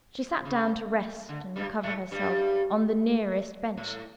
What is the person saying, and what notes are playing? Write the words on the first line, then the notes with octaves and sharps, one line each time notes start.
She sat down to rest and recover herself on the nearest bench.
C#3
D3
G2 G3
A2 A3
G2 G3
A2